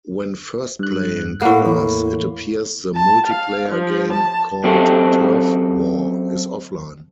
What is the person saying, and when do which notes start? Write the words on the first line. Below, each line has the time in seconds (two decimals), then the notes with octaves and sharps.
When first playing "Colors", it appears the multiplayer game, called "TurfWar", is offline.
0.79 G2 F#6
1.42 A2 A#3 F#5
1.66 E2 E4
2.94 A5
3.25 F5
3.67 F3
4.11 A5
4.64 F#2 C4 G4 A4